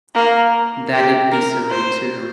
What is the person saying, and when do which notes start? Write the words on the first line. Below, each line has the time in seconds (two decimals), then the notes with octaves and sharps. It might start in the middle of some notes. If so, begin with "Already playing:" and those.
That'd be silly too.
0.15 A#3
0.93 G4
1.32 A#4
1.70 C5